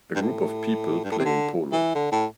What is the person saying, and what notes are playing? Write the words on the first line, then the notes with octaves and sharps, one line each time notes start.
A group of people playing polo.
G2
A2
G2
A2
C3
D3
E3
D3
A2